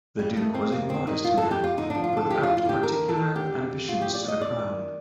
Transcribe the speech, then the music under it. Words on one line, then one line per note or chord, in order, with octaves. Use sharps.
The duke was a modest man without particular ambitions to the crown.
F2 G3
D#3 A3
F2 C4
F2 A#3
D#3 C4
D#3 D#4
F2 F4
F2 A4
G4
F2 F4
D3 D#4
F3 D4
F4
D3 A4
F3 G4
F2 F4
F4
D3 G4
D#2 A#4
D#2
A4
D#2
D3 G4
F2
F2
D2 F4
F3 G4
D5
D2
D#5
D#2 D5
D#3